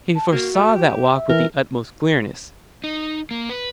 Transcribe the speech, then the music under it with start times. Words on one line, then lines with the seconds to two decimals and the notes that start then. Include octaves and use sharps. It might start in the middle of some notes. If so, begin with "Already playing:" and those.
He foresaw that walk with the utmost clearness.
0.15 A5
0.32 A#3 F#4
0.55 A3
0.76 G4
1.14 E5
1.29 E3 A#4
2.84 D#4
3.31 A#3
3.49 B4